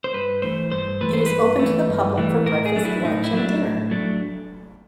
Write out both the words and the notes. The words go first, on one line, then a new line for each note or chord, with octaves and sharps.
It is open to the public for breakfast, lunch and dinner.
C5
G2 B4
E3 A3 C5
G2 C5
E3 A3 B4
C5
G2 B4
E3 A3
G2
E3 A3
A2 A#4
G#4
F#3 A3 D4
E4
A2 D#4
E4
F#3 A3 D4
A2
F#3 A3 D4